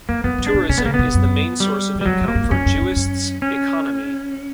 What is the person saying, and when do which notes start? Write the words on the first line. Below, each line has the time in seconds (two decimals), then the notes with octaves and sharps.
Tourism is the main source of income for Juist's economy.
0.09 F#2 A#3
0.24 F#2 B3
0.39 G2
0.47 D4
0.54 A#2
0.69 B2 C#4
0.78 B3
0.84 C#3 A#3
0.94 B3
0.99 B2
1.15 F#2
1.60 G3
1.95 F#2
2.01 G3
2.06 E2 F#3
2.21 F#2
2.28 A#3
2.35 G2
2.44 E2
2.51 F#2 C#4
2.66 F#2
2.75 G2
2.81 F#2
2.96 F#2
3.42 C#4